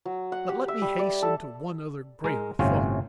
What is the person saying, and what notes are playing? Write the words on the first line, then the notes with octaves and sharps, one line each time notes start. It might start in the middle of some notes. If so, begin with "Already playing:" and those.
But let me hasten to one other greater thought.
F#3
F#5
G4
E5
G3
D5
A4
G#3 A#4
G1 A2 C3 C#4 F4 F5